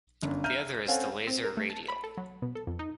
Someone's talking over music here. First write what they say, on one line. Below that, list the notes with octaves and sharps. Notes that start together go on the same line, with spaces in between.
The other is the Laser Radial.
G1 F#2
E5 A#5 F6 G6 D#7
C4 C#4 A4 F5 F#5 G#5
C4
A#4
A3
A5
B5
A4
F#3
B2
A4
F2
D#4